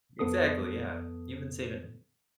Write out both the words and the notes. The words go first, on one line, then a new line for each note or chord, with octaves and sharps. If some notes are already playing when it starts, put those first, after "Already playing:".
Exactly, yeah, you've been saving
F2 B3 A4 D#6